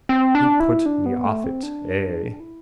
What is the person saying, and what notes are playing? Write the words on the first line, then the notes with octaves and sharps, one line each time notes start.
He put me off it. Ay.
C4
D4
E4
D4
B3
A3
C4
D4
E4